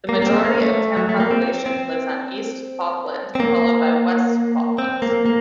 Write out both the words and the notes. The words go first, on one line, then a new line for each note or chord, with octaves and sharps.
The majority of the Camp population lives on East Falkland, followed by West Falkland.
A#3
A#3
C4
A3
A#3
A3
F#3
A3
A#3
C4
C4
C4
A#3
C4
A#3
A#3